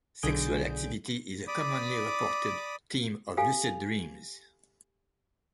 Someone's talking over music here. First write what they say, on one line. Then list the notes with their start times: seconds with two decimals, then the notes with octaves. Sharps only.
Sexual activity is a commonly reported theme of lucid dreams.
0.23 B1 D3 G#4 G6 D7
1.47 D5 B5 D6 D#6
3.37 G4 A4 F5 G#5